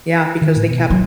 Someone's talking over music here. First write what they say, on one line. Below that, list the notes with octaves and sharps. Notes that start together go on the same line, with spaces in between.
Yeah, because they kept
D#3
A2
B2
F#3